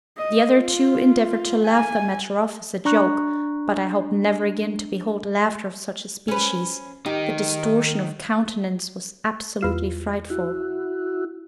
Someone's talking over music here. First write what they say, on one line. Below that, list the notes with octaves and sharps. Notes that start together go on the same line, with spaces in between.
The other two endeavoured to laugh the matter off as a joke, but I hope never again to behold laughter of such a species: the distortion of countenance was absolutely frightful.
D#5
F4
G#5
D4 A#5 C#6 F#6
C#4 B4
D#3 D#4 G4
E2 F4 E7
E4 F#4